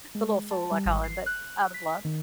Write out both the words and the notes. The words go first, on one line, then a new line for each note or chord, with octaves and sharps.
the little fool I call him, but out of love.
G#3
A5
G3
G#1
C7
F#6
B6
D#3